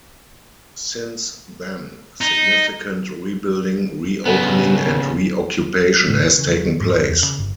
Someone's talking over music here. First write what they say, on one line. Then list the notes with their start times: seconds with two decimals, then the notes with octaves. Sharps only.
Since then, significant rebuilding, reopening, and reoccupation has taken place.
2.21 D#4
4.26 C#3 B3
6.10 A2
6.25 E3
6.39 C#3
6.52 F#3
6.65 D#3
6.81 G#2
6.95 E2
7.08 E2
7.23 C#3
7.39 G1